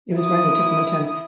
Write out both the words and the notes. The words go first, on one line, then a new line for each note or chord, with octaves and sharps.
it was right on the tip of my tongue.
E4 D#6